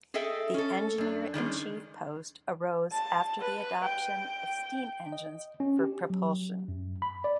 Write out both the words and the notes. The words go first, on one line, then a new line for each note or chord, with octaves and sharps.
The Engineer-in-Chief post arose after the adoption of steam engines for propulsion.
G#4 A4 D#5 E5 G5
C#4 A4
F#2 D4
D#3 G3 G#3 C#4
A5
B4
G5
D#5
C#4
G4
F#3
F#2
B5
D5